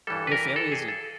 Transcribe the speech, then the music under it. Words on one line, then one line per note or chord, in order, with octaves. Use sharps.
no family is a
G2 E3 G3 A4
B4
A#4
A4
G#4
A4